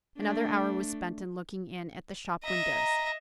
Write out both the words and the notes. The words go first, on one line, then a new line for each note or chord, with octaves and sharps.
Another hour was spent in looking in at the shop windows.
A3 D4
D#5 E5 A#5